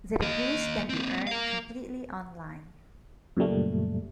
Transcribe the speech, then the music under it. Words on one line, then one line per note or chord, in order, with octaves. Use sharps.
The degrees can be earned completely online.
A#3 D#5
A#3 C4
A#4 F5
F#2 A#2 C#3 G3 A3